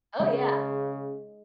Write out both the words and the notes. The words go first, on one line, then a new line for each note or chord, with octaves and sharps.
Oh, yeah.
C#3 G#3